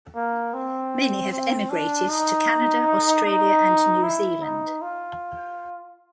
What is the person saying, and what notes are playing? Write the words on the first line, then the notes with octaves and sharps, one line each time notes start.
Many have emigrated to Canada, Australia and New Zealand.
A#3
C4
C4
D4
D#4
D#4
E4
D#4
F4